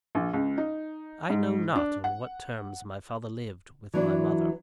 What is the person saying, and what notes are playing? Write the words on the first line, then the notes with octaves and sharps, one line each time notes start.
I know not on what terms my father lived with my mother.
A#1
C#2
D#4
G#2
D4
F#5
E3 F#3 D4